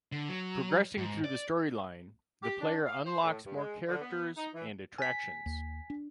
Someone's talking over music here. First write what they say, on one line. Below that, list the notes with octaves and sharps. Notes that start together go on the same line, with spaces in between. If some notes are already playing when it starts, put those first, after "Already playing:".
Progressing through the storyline the player unlocks more characters and attractions.
D3
F#3
G#2
D5
G4
D4
F5
C5
A2
G2
G#3
D3
B3
D#4
E3
G#5 B6
D#2
D4